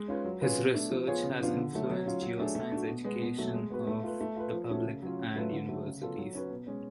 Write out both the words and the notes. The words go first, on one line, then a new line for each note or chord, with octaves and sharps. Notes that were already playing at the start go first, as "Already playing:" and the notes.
His research has influenced geoscience education of the public and universities.
Already playing: G#3
C#4 F4 B4
F#3
C#4 F4 G#4 B4
B2
A3 D4
F3
B3 F4 G#4 C#5
C#3
F3 B3 D4 F4
D3
F#3 A3
F#3
C#4 F4
F#3
A3 D4 G#4
A3
D4 F#4
B2
G#3 B3
B2
F#3 A3
G#3
B3 F#4 B4
A3
F4 B4
A3
F4 B4
F3
A3 C#4 F#4
C#3
F#3 C#4 F4
C#3
F#3 A3 F4 B4
D3
F#3 A3
C#3
F#3 B3 F4 A4
F#3
C#4 F#4 B4
B2
G#3 C#4